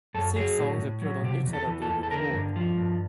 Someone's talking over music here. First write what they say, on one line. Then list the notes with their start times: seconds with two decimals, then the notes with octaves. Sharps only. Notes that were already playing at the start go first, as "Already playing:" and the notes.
Six songs appeared on each side of the record.
0.14 F#2 A4
0.36 F#3 G#4
0.59 A2
0.79 A2
1.02 F#3
1.24 C3 G4
1.45 E2
1.53 A4
1.67 E3
1.82 A4
1.89 E2
2.03 A4
2.11 D3 A#4
2.33 G2
2.56 F3
2.77 G2